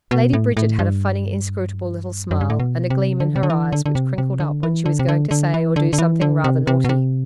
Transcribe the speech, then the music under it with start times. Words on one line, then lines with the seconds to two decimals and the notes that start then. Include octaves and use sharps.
Lady Bridget had a funny inscrutable little smile and a gleam in her eyes which crinkled up when she was going to say or do something rather naughty.
0.11 B2
0.33 A2
0.57 A2
0.79 G2
2.31 F#2
2.41 G2
2.50 A2
2.60 B2
2.90 C3
3.20 D3
3.36 C3
3.43 D3
3.50 E3
3.72 D3
3.86 D3
3.95 C3
4.18 C3
4.40 D3
4.63 E3
4.86 D3
4.99 C3
5.09 D3
5.31 D3
5.54 E3
5.76 D3
5.93 D3
5.98 E3
6.21 D3
6.44 C3
6.67 C3
6.84 B2
6.89 C3